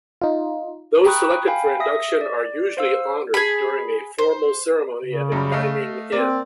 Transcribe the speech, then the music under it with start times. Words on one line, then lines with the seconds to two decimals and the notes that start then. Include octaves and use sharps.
Those selected for induction are usually honored during a formal ceremony at a dining-in.
0.21 D#4 F4
1.06 G5 A#5 B5 C#6 D#6 F#6
1.48 F5 G5 G#5 B5
1.80 E5 D#6 A#6
2.21 D5
2.77 C5 F5 E6
3.34 G#4 B5
4.18 C5
5.05 C#3
5.32 F#2 G3
5.52 A3 D#5 F5
6.12 A#3 C4 D5